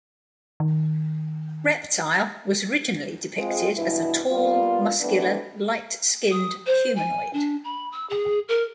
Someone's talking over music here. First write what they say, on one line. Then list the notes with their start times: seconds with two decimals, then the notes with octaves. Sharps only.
Reptile was originally depicted as a tall, muscular, light-skinned humanoid.
0.60 D#3
3.38 G#3 C4 F4
3.76 G2 B2 E3 E4
4.30 G3 A#3 B3 F4
5.01 E3 G3 A3 B3 C4 D4
6.31 D#6
6.66 C5
6.96 G#5
7.33 D4
7.64 B5
7.92 E6
8.10 G#4
8.49 A#4